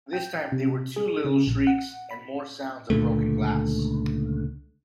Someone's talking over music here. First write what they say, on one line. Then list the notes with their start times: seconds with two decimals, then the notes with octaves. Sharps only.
This time there were two little shrieks, and more sounds of broken glass.
0.13 G5
0.52 C3
0.96 G#4
1.24 C#3
1.47 A#1
1.67 F#5
2.11 B5
2.90 C#2 A#2 D3 A3